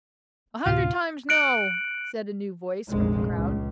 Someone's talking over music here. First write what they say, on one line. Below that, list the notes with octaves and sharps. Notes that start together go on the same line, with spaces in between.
"A hundred times no!" said a new voice from the crowd.
D2 A2 C3 F4
F#6 C#7 D7 F#7
F1 A#1 G#3
C#2